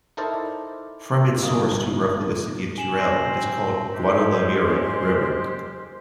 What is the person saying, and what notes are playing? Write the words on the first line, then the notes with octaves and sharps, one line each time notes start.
From its source to roughly the city of Teruel, it is called "Guadalaviar" river.
D#4 E4 A4 A#4 C5 D5
G1 A#3 D#5
G#5 E7 F#7
C4 A#6 C7
G#3 G4 C5